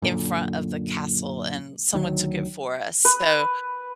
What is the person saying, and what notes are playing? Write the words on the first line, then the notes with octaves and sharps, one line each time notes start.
in front of the castle, and someone took it for us, so,
F#2 A#2 D3
D2 D#3 E3 F#3
B4